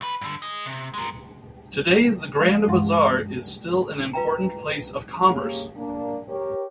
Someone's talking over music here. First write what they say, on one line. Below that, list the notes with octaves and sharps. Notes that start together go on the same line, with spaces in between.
Today, the Grand Bazaar is still an important place of commerce.
C2 B4
G2 D3
G#4 D#5
C3
G#3 A#4
F3 G#3 F5
G2 E3 G#3 F5 F#5 C6
F4 B4 E5 G5 A#5
C#3 A#3 C#4 G4 G#4
A#3 D4
G4 A#4 C#5